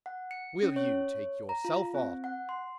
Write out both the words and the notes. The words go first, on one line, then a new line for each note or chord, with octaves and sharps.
"Will you take yourself off!"
F#5
C#7
C#4
C#5
A#5
F4
C4
F#5
C6